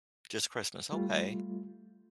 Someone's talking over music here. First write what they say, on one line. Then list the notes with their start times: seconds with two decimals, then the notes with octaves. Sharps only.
Just Christmas okay.
0.92 G3 A3 F4